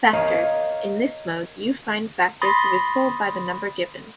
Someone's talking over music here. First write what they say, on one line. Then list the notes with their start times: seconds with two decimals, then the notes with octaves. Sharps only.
Factors - In this mode you find factors divisible by the number given.
0.13 A#4 C#5 D#5 F5 A#5
2.42 B5 C6 D#6 A6 A#6